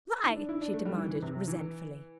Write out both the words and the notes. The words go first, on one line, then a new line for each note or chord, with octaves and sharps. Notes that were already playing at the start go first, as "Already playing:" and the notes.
"Why?" she demanded, resentfully.
E4
D4
E4
D4
A3
G3
E3
E3
C3
E3